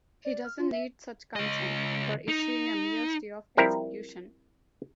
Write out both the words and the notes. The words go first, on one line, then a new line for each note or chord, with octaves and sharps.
He doesn't need such consent for issuing a mere stay of execution.
D5
F6
F4
E5
C#2 D#5
D#4
F3 G3 C4 E4 A#4